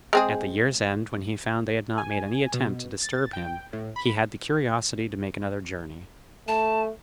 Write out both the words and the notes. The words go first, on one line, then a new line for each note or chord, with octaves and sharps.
At the year's end, when he found they had not made any attempt to disturb him, he had the curiosity to make another journey.
G#3 C4 G#4
G#5
B2
A6
G5
A2
B5
A3 A5